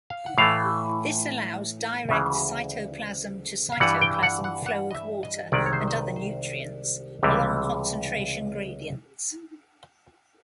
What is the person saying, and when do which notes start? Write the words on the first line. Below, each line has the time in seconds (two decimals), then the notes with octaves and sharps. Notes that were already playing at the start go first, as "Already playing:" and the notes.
This allows direct cytoplasm-to-cytoplasm flow of water and other nutrients along concentration gradients.
0.10 F5
0.26 F#5
0.38 A2 E3 A3 F5
2.09 D2 C#3 E3 G#3 F5
3.72 F5
3.80 G2 E3 G3 F#5
4.01 G5
4.14 G5
4.23 F#5
4.44 F#5
4.66 F#5
4.91 D#5
4.95 E5
5.23 D#5
5.52 C2 C3 D#3 G#3 D5
5.66 C#5
5.73 C5
5.88 C5
5.95 B4
6.16 C5
7.23 C#2 C3 E3 G3